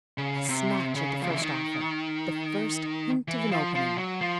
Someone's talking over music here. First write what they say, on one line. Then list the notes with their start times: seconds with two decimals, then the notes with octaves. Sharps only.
I snatch at the first offer, the first hint of an opening.'
0.18 C#3
0.49 C3
0.96 C#3
1.22 F3
1.32 E3
1.42 D#3
3.28 E3
3.51 F3
3.75 F3
3.98 F#3
4.21 F3